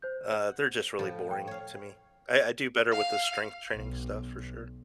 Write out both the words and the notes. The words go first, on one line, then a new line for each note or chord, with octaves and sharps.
uh, they're just really boring to me. I I do better with the strength training stuff, for sure.
C5 G6
F#5
A2 F3
G5
C#5 F5
F5
B1